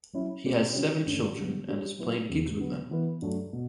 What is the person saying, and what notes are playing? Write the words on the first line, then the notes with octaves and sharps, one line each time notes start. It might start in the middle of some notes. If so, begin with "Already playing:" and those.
He has seven children, and has played gigs with them.
F#3 C#4 E4
B2 A3 C#4 G4
D3 G3 C#4 F#4
G2 D3 A3 C#4
D3 F#3 B3
G3 D4 G4 C#5
F#3 B3 E4 B4
E2 C#3 G3
D3 F#3 B3
E3 B3 E4 B4
G2 F#3 A3
B2